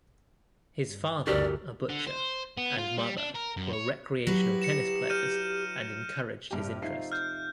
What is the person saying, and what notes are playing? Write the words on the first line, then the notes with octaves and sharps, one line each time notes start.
His father, a butcher, and mother were recreational tennis players and encouraged his interest.
G2
G1 D2 F#4 G4 A#4 D5
D3
C5
B3
F4
G3
D4
A#4
F#2
C#5
F#3 E4 G4 B4 A#6 F#7
C#7 E7
F6 G6 D#7
G2 C3 G4
F3 A3 D#4 E5 C7
F6 G6